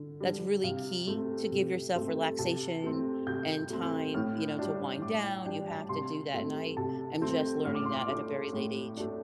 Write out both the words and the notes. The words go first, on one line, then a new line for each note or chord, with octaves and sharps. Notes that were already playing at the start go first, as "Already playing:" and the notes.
That's really key to give yourself relaxation and time, you know, to wind down, you have to do that, and I am just learning that at a very late age.
Already playing: D3
G3 D4
C3 F5
A3 C4
C3
A3 C4
C3 A5
A3 C4
C3 G6
A3 C4
A2 F6
G3 D4
A2 D6
G5
G3 D4 G5
A5
C3 C6
A3 C4
C3 A5
A3 C4
A2 F6
D6
C6
D6
A3 D4
A2
A3 D4